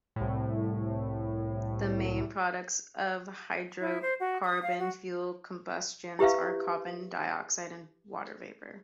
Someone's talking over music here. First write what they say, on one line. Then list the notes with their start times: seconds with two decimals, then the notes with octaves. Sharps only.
The main products of hydrocarbon fuel combustion are carbon dioxide and water vapor.
0.16 C2 A2
3.80 E4
4.02 C5
4.20 F#4
4.45 D#6
4.63 F5
4.79 F#4
6.19 E4 G4 B4 E5 F5